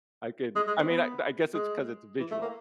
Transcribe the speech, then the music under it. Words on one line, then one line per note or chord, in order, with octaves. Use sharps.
I could I mean, I I guess it's because it's visual,
G#3
G#3
C4
B3
G#3
E3
A3
A#3